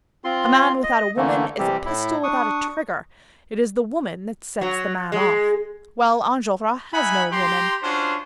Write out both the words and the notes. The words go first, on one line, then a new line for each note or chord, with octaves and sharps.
A man without a woman is a pistol without a trigger; it is the woman that sets the man off. Well, Enjolras has no woman.
C4 F4 C6
D#5
D3 E3 A3 A#3
C3 E3 G3 C4 G4
A2 E4
D4 C#6 D#6
F#3
G#3
D#4 E5 F#5 G#5 B5
G4 A#5 C6
C#4 D4 F4 F#4 C5